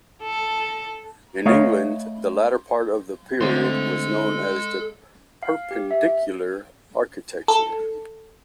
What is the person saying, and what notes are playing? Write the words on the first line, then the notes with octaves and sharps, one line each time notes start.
In England the later part of the period is known as Perpendicular architecture.
A4
A3 C#5 D#5 F5
D3 G#3 A3 C4 A4 C6
F5
G4
E5
A4